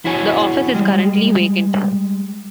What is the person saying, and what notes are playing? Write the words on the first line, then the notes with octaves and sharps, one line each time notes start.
The office is currently vacant.
E2 E4 F#4 C#5 G#5
G3 G#3